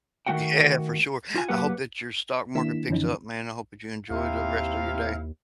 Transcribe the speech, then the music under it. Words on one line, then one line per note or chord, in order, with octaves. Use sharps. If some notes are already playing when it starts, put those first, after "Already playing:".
Yeah, for sure, I hope that your stock market picks up, man, I hope that you enjoy the rest of your day.
D#3 A3 F#4 F#5 G5
F4 G#5
F#2 F#3 A#3 G4 B4 F#5
D#3 A#3 D4 E4 B6 E7
F#2 D3 E3 F3 C#4 D#4
D#2 C3 E4 F5